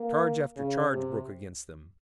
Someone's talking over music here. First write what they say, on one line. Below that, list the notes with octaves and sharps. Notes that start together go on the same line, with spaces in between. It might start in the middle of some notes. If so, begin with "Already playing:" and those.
Charge after charge broke against them.
Already playing: A#3
C#3
C3